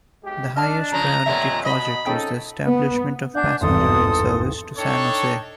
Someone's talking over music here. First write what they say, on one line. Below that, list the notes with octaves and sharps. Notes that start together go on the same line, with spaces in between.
The highest-priority project was the establishment of passenger rail service to San Jose.
B1 G#3 G4
D4 D#5 A5 F6
C#3 F3 D#5 A#5
F2 A#2 D3 G3 A3 B3 C#5 E5
B2 D#5 B5
F2 C#4 D#4 G#4 A4 G5
B3
D4 F#5 G#5 G6
G#1 E2 G2 A4 C6 D#6
D4 D#4 A4 C#5 G5 C#6